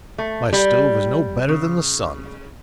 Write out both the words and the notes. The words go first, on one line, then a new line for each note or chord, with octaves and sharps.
My stove is no better than the sun.
A3
G3
C#3